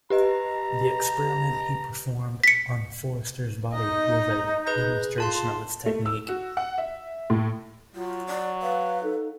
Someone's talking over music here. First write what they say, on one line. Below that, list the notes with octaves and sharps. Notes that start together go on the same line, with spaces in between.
The experiment he performed on Forster's body was a demonstration of this technique.
G4 B4 D#5 A#5
B6 C#7
D#4 D#5 A#5 D#6
G#4 B4 G6 A#6
F4 A5 C6
A3
E6
F#4
F#5
E5
A2
F#3 F4
D5
B4 F5
D#4 A4